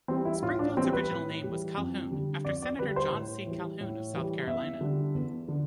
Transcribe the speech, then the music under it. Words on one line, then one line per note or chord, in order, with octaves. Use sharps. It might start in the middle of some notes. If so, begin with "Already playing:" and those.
Springfield's original name was Calhoun, after Senator John C. Calhoun of South Carolina.
E3 G3 C4
E4
A2 F4
D4
E3 G3 C4
B4
A2
G3
E3
F2
D3 G3
F2 D5
D5
D3 G3 B4
C5
A2
E3
G3
A2
E3 G3
E2 E5
D3 G3
E2
D3